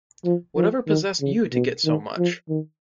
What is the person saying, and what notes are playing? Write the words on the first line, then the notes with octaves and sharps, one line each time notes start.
Whatever possessed you to get so much?
F3
F3
D#3
C#3
B2
D#3
F3
D#3